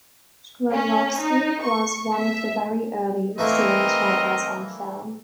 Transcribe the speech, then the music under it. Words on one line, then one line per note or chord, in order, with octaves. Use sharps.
Shklovsky was one of the very early serious writers on film.
C#4
D#4
C#6
E5
E3 A3 A#3 C4 A#4 D#5